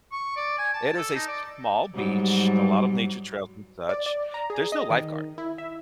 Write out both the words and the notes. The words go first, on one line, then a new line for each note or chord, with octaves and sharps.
it is a small beach, and a lot of nature trails and such. There's no lifeguard.
C#6
D5
G#5
A5
A4
D#4
D5
G#2 F#3 G3
D5
D5
A#5
G#4
D#5
D#3
E4
E5